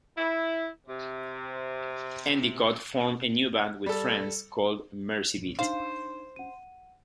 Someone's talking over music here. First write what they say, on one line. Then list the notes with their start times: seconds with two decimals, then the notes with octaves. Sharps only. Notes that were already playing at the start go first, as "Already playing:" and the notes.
Endicott formed a new band with friends called Mercy Beat.
0.18 E4
0.87 C3
3.86 G3 A4
5.59 D4 D#4 C5 F5
6.36 F#5 D#7